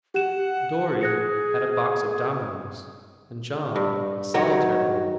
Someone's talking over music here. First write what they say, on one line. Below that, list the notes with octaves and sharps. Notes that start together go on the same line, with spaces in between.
Dorry had a box of dominoes, and John a solitaire board.
G4 F#5 E7
G#4 F#6 A#6 C#7
G2
D#3 F#3 C#5